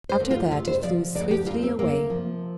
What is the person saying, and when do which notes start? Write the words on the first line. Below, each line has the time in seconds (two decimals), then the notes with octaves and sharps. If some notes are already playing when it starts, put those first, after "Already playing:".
After that it flew swiftly away.
0.09 C5
0.20 D2
0.31 F4
0.51 C3 F4
0.68 C5
0.83 F3 D5
1.15 D2 D5
1.31 G4
1.46 D2 F4
1.63 C4
1.79 C3 A#3
2.10 F3